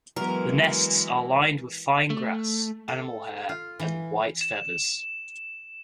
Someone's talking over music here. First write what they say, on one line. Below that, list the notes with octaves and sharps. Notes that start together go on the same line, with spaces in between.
The nests are lined with fine grass, animal hair and white feathers.
E3 F#3 G#3 B3 A#4
A3
A4
F4
E3
E7